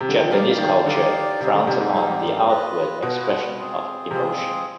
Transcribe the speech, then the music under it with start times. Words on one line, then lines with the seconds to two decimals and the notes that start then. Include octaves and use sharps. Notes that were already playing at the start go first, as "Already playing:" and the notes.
Japanese culture frowns upon the outward expression of emotion.
0.01 C3
0.09 D3
0.16 D#3
0.24 F3
0.31 G3 D#4 G4 D5 F5
0.58 D#3
0.86 D3 D#4 G4 D5 F5
1.40 C3 G3 C4 D#4
1.54 D3
1.67 C3
1.80 G#2
1.94 G3 C4 D#4
2.48 F4 B4 D#5
3.03 B2 F4 B4 D#5
3.57 G#3 C4 F4 G#4
4.11 C3 G#3 C4 F4 G#4